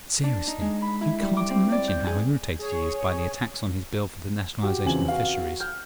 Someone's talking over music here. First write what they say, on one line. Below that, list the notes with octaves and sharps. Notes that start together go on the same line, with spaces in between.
But seriously, you can't imagine how irritated he is by the attacks on his Bill for the Nationalisation of Fisheries.
D4
D#4
G#3
B5
E4
G3
D6
C4
D5
G6
G#4
G#4 C#5
F#4 G4
E2 C#3 C4 F4 G#5 F#7
F#4 F5
F6 G6